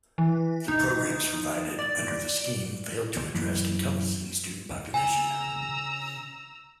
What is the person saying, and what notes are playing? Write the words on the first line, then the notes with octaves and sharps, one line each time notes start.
The programs provided under the scheme failed to address encompassing student population.
E3
D#4
D5
F#2 E3
C#3 G#5 A#5 E6